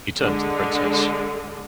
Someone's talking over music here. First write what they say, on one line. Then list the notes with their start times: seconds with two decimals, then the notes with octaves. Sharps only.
He turned to the Princess.
0.20 D3 G#3